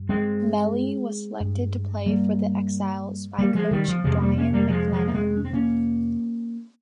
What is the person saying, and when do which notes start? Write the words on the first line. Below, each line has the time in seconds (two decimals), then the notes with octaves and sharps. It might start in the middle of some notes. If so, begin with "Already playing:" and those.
Meli was selected to play for the Exiles by coach Brian McLennan.
Already playing: G2
0.09 G#3 C4
1.40 G2
2.06 G3 A#3
3.38 G3 A#3
3.55 F3 G#3
3.71 D#3 G3
3.88 F3
4.04 F2 C3 F3 G#3
4.17 C4
4.20 G3 A#3
4.37 A#3 C#4
4.53 G3 A#3
4.70 F3 G#3
4.92 F3 G#3
5.08 A#3
5.14 G#3 C4
5.37 C#4
5.45 C4
5.53 A#3 C#4